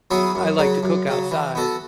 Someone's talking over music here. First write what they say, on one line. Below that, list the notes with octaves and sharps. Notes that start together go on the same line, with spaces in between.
I like to cook outside
F#3 B3 E4 G#4
F#2
C#3 F#3
F#2
C#3 F#3
E3
B3 F#4 A4